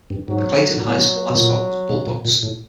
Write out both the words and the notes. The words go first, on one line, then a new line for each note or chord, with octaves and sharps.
The Clayton High School mascot was Bulldogs.
G2
G#2 F#3
A#2
A2 F#3
B2
A#2
B2
A#2
A#2
A2